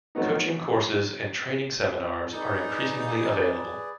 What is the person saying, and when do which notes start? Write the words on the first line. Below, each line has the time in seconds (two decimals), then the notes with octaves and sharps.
Coaching courses and training seminars are increasingly available.
0.15 D#3 F3 F#3 A3 B3 D#4
2.33 D#4 G#4 B4 D5